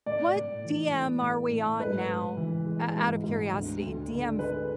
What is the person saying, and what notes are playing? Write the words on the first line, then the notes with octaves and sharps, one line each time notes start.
What DM are we on now? Uh, out of curiosity, DM f
A2 D5
A2
E3
A3
A2
A2
G#2 B4
G#2
E3
G#3
G#2
G#2
D2
D2
D3
G#3 B4